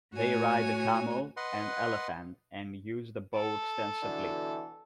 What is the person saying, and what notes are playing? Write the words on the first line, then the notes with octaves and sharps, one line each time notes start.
They ride the camel and elephant, and use the bow extensively.
A2 F#4 C#5 G#5
B4 D#5 F#5 C6
A4
B2 D3 E3